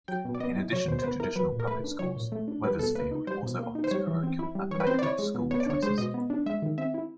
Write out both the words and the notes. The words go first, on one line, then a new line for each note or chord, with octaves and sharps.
In addition to traditional public schools, Wethersfield also offers parochial and magnet school choices.
F#3 G5
B2
D5
B3 D#5
E4
F#3 C#5
B2 C5
C5
B3 B4
E4 A#4
F#3 B4
A#2
A#4
A3 B4
D4
F#3 C#5
A#2
A3
D4
G3 B4
B2 A4
A#3 B4
D#4
G3 C5
B2
A#3
D#4
C5
G3 C#5
E3
C4
E4
G3
E3 C#5
B4
C4 C5
D5
E4 C#5
G#3
B2
B3 C#5
D5
D4 C#5
G#3 C5
B2 D#5
B3
D4
G#3 E5
D#3
C4 E5
E4